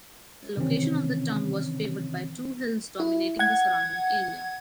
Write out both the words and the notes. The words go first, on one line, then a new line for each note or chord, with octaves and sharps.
The location of the town was favored by two hills dominating the surrounding area.
C3 D#3 E3 C4 C#4
E4
F#5 G#6